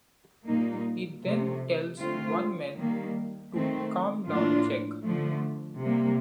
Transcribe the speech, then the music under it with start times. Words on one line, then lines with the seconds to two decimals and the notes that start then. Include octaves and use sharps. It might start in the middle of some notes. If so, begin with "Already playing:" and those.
He then tells one man to Calm down Jack!
0.48 A#2 G3 A#3 D#4
1.25 C3 F3 A3
2.01 D3 A3 C4 F4
2.77 D#3 G3 A#3
3.53 D#3 A3 C4
4.29 A2 F3 A#3 D4 F4
5.05 D3 F3 A3
5.81 C3 G3 A#3